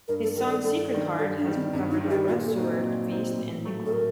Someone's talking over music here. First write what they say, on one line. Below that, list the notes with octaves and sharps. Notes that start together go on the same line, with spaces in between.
His song "Secret Heart" has been covered by Rod Stewart, Feist, and Nick Lowe.
G2 A#4
A4
D#3 G3 D4 A#4
A4
G2 A4
D#3 G3 D4
G2 A4
D4
D#3 G3
C4
G2 C4
D#4
D#3 G3
G4
A#2 F#4
A4
F#3 C4 D#4
A#2
F#3 C4 D#4
A2
F#3 A3
A4
A2 A#4